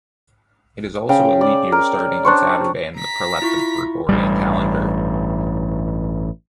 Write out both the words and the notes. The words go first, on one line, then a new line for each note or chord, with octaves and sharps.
It is also a leap year starting on Saturday, in the Proleptic Gregorian calendar.
C#3 G5
D5
A#4
D4 C5 C#6
A#5 B6
E4 F4 C#6
A1 G2 G3